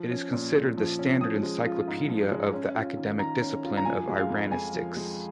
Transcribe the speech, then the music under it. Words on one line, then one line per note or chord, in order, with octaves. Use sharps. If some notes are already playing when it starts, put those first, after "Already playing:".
It is considered the standard encyclopaedia of the academic discipline of Iranistics.
Already playing: F3
C#4
A#2
A#2
F3
C#4
F3 D#6
G#3
F4
G#2
F3
G#3
C#4
F4
D#3
D#3 A#5
C#4
F4
A#5
F3 G#5
G#3
F5
F2
F2 G#5
F3
G#3